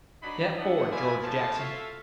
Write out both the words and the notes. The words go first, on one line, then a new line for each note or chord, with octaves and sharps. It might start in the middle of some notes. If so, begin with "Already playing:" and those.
Step forward, George Jackson.
F#3 D4 D#4 B4 F#5 B5
D4 D#5 E5 F#5
E4 F4 D5 E5 G#5
A2 F3 A3 A5
F4 F#4 A4 E5 F5